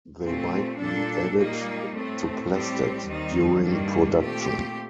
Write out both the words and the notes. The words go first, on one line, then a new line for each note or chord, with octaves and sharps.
They might be added to plastics during production.
A#2 A3 C4
A#2 G3 D4 A4
A#2 G3 A#3 D#4
A2 A3 C4
A2 G3 C4 G4
D#2 D#3 G3 C4 D#4
G2 D#3 G3 A#3 D4
A#2 A3 C4 G4